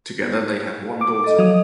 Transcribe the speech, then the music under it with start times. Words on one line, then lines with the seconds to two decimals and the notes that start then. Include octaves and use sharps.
Together they had one daughter.
1.01 D6
1.24 A4 D#5
1.39 F3 F#3 D#6